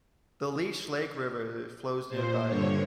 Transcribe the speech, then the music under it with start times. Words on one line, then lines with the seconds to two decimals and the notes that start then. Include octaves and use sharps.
The Leech Lake River flows nearby.
2.09 A#2 C5
2.47 G2 D3 C#5